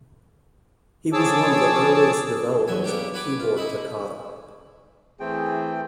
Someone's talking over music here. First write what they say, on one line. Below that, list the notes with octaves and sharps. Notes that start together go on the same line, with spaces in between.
He was one of the earliest developers of the keyboard toccata.
F3 G#4 C#5 A5 D6 E6
E2 F#3 E5 G#5
A#3 B3 D4 G4
F#4 B4 G#5 B5 D6
F4
D#4 E4 D#5 B5
E3 A3 C4 G#4 G5